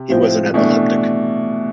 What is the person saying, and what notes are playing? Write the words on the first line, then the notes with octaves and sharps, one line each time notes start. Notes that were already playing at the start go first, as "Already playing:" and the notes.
He was an epileptic.
Already playing: C3
A2 F3 C4
B2 E3 A3 D4